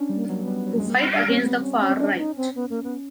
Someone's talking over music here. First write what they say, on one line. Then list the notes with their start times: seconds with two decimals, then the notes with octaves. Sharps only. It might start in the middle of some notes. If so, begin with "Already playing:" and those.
To fight against the far right.
Already playing: C#4 D4
0.09 G3
0.15 A#3
0.28 F#3 B3
0.35 A#3
0.43 G3 B3
0.67 F#3
0.79 G#3
0.85 G3 A#3
0.99 G3 C4
1.14 G3 D4
1.27 C4 C#4
1.42 B3
1.61 C#4
1.79 C#4
1.90 C4
1.99 C#4 D4
2.18 D#4
2.37 C4
2.55 B3
2.70 A#3
2.83 B3